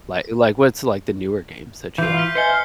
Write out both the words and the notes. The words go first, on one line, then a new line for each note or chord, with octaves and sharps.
like like, what's, like, the newer games that you like?
E3 F4 E5 G6
F6 B6
B4 C5 D#5 G#5 B6 C#7 G7
F6